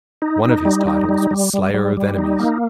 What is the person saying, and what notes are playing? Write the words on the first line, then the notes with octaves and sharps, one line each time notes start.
One of his titles was "Slayer of Enemies".
D#4
D#4
G3
D#4
G3
G3
G3
G3
G3
D#4
A#3